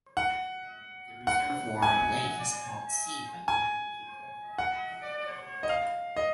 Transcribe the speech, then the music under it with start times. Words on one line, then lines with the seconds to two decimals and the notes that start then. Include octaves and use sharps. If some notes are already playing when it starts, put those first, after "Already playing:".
The reservoir lake is called "sea" by local people.
0.17 F#5
1.27 F#5
1.82 G#5
3.48 G#5
4.58 F#5
5.63 D#5
5.69 F5
6.16 D#5